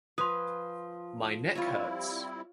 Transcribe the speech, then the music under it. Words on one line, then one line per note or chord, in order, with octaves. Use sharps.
My neck hurts.
F3 B4 G#5 C6 D#6
G3 C4 E4 F4 C#5